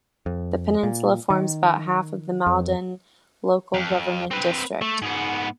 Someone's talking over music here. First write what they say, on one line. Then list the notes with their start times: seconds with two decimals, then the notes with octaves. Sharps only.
The peninsula forms about half of the Maldon local government district.
0.26 F2
0.83 A#2
1.30 D#3
2.47 F2
3.74 F2
4.31 C4 B4
4.81 A3
5.02 G#2 B3